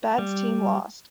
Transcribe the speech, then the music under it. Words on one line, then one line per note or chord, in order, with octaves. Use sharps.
Badd's team lost.
G3